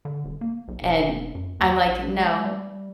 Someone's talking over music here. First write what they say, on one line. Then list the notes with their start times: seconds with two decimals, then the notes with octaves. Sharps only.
And, I'm like, "No.
0.05 D3
0.25 D#1
0.41 A#3
0.68 B1
0.82 E1
1.35 F#2
1.60 D#2
1.84 A#1
2.18 G#3
2.45 G3